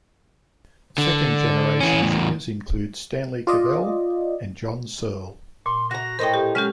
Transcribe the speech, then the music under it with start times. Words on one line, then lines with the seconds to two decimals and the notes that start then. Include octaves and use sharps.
Second generation figures include Stanley Cavell and John Searle.
0.98 D3
1.80 E3 C#4
2.02 E2 A2
3.47 F4 D5 D#5
5.66 A#2 C6
5.91 F#4 A#5 A#6
6.19 A2 D#4 A#4 C5 G5
6.34 G4
6.55 F#3 G#3 C#4 G4 F6